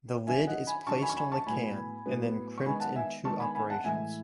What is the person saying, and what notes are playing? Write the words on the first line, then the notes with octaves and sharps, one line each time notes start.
The lid is placed on the can, and then crimped in two operations.
D#3 F#3 C#4 E5 G#5
D#5 F#5
G#5 B5
D#3 F#3 C#4 A5 C#6
G#5 B5
C#6
G#5 B5
A5 C#6
A2 F#3 B3 G#5 B5
A2 F#3 B3
C#6
D#3 G#3 B3 G#5 B5
F#5 A5
E5 G#5
D#3 G#3 B3 A5 C#6
G#5 B5
G#5 B5
F#5 A5
A2 E3 G#3 E5 G#5